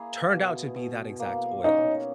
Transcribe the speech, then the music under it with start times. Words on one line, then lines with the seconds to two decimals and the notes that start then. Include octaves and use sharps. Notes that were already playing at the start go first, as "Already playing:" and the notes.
turned out to be that exact oil,
Already playing: A#3 E4 G#4
0.33 B2
0.76 B2
1.20 A#3
1.64 C#4 D#4